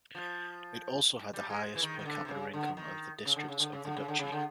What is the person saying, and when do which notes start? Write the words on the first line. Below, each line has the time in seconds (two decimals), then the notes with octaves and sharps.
It also had the highest per capita income of the districts of the duchy.
0.15 F3
1.33 G3
1.50 G#3
1.75 E3
1.82 D#3
1.99 D#3
2.06 D3
2.25 C3
2.29 C#3
2.53 D3
2.77 D#3
3.25 C#3
3.36 D3
3.48 C#3
3.60 D3
3.73 C#3
3.85 D3
3.96 C#3
4.08 D3
4.19 C#3
4.32 D3